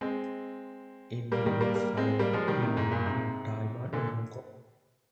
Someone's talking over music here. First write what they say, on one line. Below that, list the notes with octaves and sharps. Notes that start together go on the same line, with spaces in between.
In the years following, he lived in Taiwan and Hong Kong.
G#3 C4
G3 A#3
D#3 G3
G3 A#3
G3 A#3
G#3 C4
G3 A#3
F3 G#3
D#3 G3
C3 D#3
G#2
G2 A#2
G#2 C3
A#2 D3